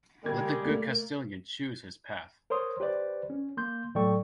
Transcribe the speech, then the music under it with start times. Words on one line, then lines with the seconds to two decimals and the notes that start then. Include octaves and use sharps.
Let the good Castillian choose his path.
0.24 D3 G3 G#3 A#3 G#6
0.65 A3 A#3
2.50 A#4 C5 C#5 C6 D#6
2.80 G4 B4 C5 D5
3.30 C#4
3.57 A#3 C6 G6
3.95 A2 F#3 A4 D5 G5 C#6